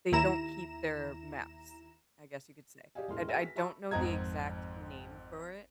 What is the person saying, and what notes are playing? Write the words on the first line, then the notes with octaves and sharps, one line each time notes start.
they don't keep their mass, I guess you could say. I I don't know the exact name for it
D#2 E4 A#5 E7
G4 D5 D#5 F5 G#5
E1 A2 C6 F6
F#4 G#4 B4 E5 G5 G#5
A#6 B6
F#4 E5 A5 B5 C#6 E6
G#1 F2 C4 D#5 A#5 G#6